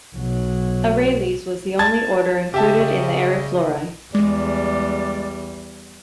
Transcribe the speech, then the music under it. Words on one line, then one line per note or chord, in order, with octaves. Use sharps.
Arales was the only order included in the Ariflorae.
B1 F#3
A5 G#6 A6
C#3 G4 D#5 E5 A5
E2 G3 G#3 D5